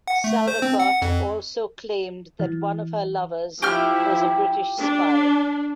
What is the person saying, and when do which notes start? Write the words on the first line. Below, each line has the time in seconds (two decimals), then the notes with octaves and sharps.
Salvequart also claimed that one of her lovers was a British spy.
0.08 F#5
0.24 A3
0.48 C5
0.62 C4
0.80 F#5
1.02 F2
2.40 E3
3.62 F3 E4 G4 G5 F6
4.80 D4